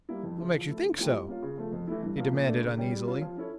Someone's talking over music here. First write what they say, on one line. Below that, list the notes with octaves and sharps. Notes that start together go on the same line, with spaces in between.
"What makes you think so?" he demanded uneasily.
G3 A#3 E4
F2
C#3 E3
F3
A3 E4 A4
D3
F3 A3 E4 G4
G3
A#3 C#4 F4
C#3
F3 A3
F2
E3 A3 E4
G2
F3 A#3
A#2
A3 D4
C#3
G3 C#4 G4
G3
C#4 F4
F3
C#4 E4 A4 C#5